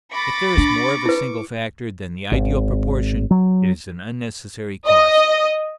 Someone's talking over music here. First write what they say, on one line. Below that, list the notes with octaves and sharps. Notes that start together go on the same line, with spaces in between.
If there is more of a single factor than the ideal proportion, it is an unnecessary cost.
B5 C#6 D6 A6 A#6
D4
E4 B4
G#1
F#3
D#5